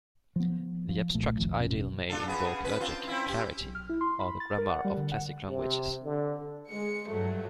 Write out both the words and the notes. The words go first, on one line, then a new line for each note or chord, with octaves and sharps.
The abstract ideal may invoke logic, clarity, or the grammar of "classic" languages.
F3 B3
F3
D1 B1 A#2 A3
F1 C2 D#3 F3
G1 E2 B2 C#4
D4 F4 A4
C#3 B3 G#4
C#4 B4
C4 D4 F4
C4 C#4 E4
C#4 G4
B1
F6
E4
C6
B5
A6
A#4
F#5
G3
D3
F#5
C3
D3
G#3 C#7
G2 F#3 A3